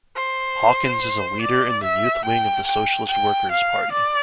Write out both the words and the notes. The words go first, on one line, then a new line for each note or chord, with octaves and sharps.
Hawkins is a leader in the youth wing of the Socialist Workers' Party.
C5
D5
E5
G5
G5
G5
F5
D5